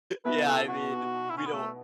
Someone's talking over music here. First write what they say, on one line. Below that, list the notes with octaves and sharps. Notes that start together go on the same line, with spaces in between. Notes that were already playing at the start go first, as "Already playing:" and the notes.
yeah, I mean, we don't
B1 B2 B3 E4 B4
A4
F#4
E4
C#4
B3
A3